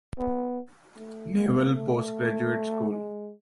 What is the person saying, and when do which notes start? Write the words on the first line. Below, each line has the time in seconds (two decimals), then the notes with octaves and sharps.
Naval Postgraduate School.
0.18 B3
0.96 A3
1.35 A#3
1.74 A3
2.91 G#3